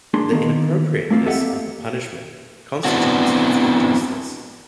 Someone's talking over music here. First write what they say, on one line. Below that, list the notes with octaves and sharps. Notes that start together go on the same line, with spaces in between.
The inappropriateness of the punishment constitutes its injustice.
A#3 D4 G#4 C6
D#3 F#3 A#3 B3
A3 A#3 C4 F4
G4 A4 D#5 E5 F#5
A#3
B3 C4 D4 E4 F#4